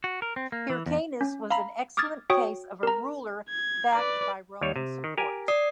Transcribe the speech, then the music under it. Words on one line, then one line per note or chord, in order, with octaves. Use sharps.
Hyrcanus was an excellent case of a ruler backed by Roman support.
F#4
A#4
C4
A#3
E3
E2
C#4
F5 A#5 B5
D6 D#6 F6 G#6 A6
F#4 C#5 G5 C#6 D#6
A#4 A#5
G#6
B4 D5
D#2 G3 C#5
C3
D#3
G4 A#4 G#5
D5 D#6 C7